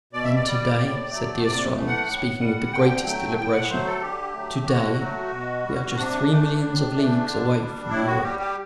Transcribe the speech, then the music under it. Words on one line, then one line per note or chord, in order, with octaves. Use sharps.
"Then to-day," said the astronomer, speaking with the greatest deliberation--"to-day we are just three millions of leagues away from Europe."
B2 D5
E5
D5
G3
A2
F#3 A3
C3 D5
E3 A3
F#5
A2
G3
D3 G5
F#3 A3 G5
A2 G5
F#5
F#3 A3 C5
A4
D3 G4
F#3 A3
D3 F#4
F#3 A3
B2
G3
C3 D4
E3 A3
A2
E3 A3
D3
G3
A2 E4
F#4
G3 G4
G4